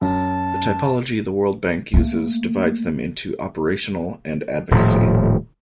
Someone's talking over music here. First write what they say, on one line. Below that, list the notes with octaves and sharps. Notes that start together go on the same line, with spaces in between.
The typology the World Bank uses divides them into Operational and Advocacy.
F#2 A5
A3 A#3
D#1 A2 F3